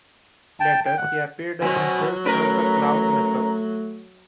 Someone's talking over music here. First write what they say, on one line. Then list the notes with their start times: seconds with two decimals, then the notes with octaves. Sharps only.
Later, he appeared as himself without the clown makeup.
0.60 G5 A5
0.86 G5
0.97 F#5
1.61 B2 F#3 B3 C4 G#5
2.25 A3 C#4 A#4 B4 A#5